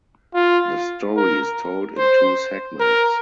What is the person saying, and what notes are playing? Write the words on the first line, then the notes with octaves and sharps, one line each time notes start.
The story is told in two segments.
F4
A#4
C5
A#4